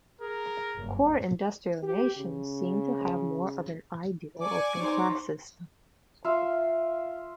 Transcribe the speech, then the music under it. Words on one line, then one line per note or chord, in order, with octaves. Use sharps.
Core industrial nations seem to have more of an ideal open class system.
G#4 A#4
F#1 G2
G4
C#3
D5 G#5 C#6 D6
D#4 C5 C#5
F4 E5 F5